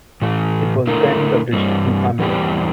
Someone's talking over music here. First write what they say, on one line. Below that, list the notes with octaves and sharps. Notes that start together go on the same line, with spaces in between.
It was then published in Amer.
A2 E3 A3
D3 A3 E4 A#4
G2 E3 G3 C4
E2 E3 G3 C4 G4